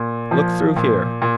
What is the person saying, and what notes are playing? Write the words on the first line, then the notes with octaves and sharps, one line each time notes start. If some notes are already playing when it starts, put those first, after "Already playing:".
"Look through here."
Already playing: A#2
F3
A#2
A#2